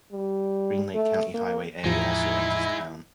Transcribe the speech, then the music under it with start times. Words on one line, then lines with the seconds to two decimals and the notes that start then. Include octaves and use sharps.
Green Lake County Highway A also enters town.
0.12 G3
0.95 A3
1.34 A#3
1.84 E2 A2 F3 G#3 D#4 E4